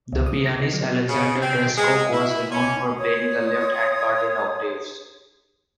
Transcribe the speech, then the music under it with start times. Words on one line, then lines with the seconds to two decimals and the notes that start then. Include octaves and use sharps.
The pianist Alexander Dreyschock was renowned for playing the left hand part in octaves.
0.13 C#2
0.26 D#6
0.46 A#6
0.60 D#4
0.74 F#3
1.08 C#3
1.40 C4
1.77 G#3
2.12 E4
2.51 C#4
2.99 C#5 C6 D#6 G#6